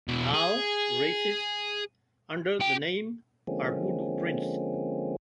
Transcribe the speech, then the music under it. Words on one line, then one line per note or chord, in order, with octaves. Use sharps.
Now races under the name Our Voodoo Prince.
E2 B2
G#4
F#4 G5
D3 F3 G#3 A#3 C4 C#4